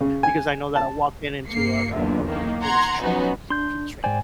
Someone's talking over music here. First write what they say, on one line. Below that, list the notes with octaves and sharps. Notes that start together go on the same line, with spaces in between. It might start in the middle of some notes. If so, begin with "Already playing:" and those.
because I know that I walk in into a a a room full of strangers, complete strangers.
C#3
G#5
A5
G2 A#3 C7 C#7
B1 E2 A#2 D3
D#3 A#3
F#5 A#5 C6 G#6
F3 F#3 B3 C#4 D#4 F#4
D4 C6 G6
G#2 C5 D5 G5 G#5